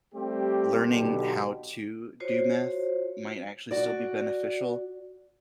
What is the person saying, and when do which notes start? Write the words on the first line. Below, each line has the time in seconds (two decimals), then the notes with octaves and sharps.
learning how to do math might actually still be beneficial,
0.15 G3 A3 C4 G4
0.87 B1 B2 D3 G4
2.20 F4 F#4 C5 C#5
3.71 F#4 D5